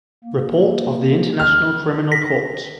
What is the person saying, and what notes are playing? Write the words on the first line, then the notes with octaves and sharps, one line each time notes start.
Report of the International Criminal Court.
A#3
F6
A#6 B6